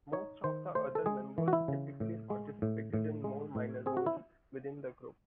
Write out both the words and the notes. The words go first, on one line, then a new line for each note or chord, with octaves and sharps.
Most of the other members typically participated in more minor roles within the group.
D#4 C#5
D#3 C5
A3 C5
A4
G#3 G#4
E3
F#4
E4
C#3
A2
G#3
A2
A2
G#3
A2
C4 G#4
F#4
E4